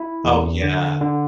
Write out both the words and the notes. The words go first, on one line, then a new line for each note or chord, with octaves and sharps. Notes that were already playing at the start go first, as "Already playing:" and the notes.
Oh, yeah.
Already playing: E4
E2
D3
D3